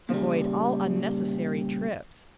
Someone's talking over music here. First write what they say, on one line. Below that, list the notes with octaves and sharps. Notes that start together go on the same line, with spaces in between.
Avoid all unnecessary trips.
A#2 C#3 G3